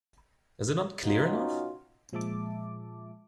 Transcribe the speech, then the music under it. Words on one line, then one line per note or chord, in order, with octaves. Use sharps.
Is it not clear enough?
B3 C#4 D#4 F4 F#4
A#2 F3 G#3 E5 A5 D6